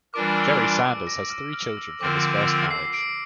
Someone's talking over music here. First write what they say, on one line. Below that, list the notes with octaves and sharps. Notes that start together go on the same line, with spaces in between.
Jerry Sanders has three children from his first marriage.
E3 G3 D4 F4 A#4 D6
E6
D7
A#6
F6
F6
E6
D3 F3 C4 F4 A#4 D6
D6
E6
C7
D7